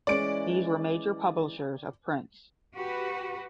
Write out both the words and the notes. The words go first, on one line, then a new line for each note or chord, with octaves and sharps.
These were major publishers of prints.
E3 G#3 C#4 D5 D7
F#4 G4 B4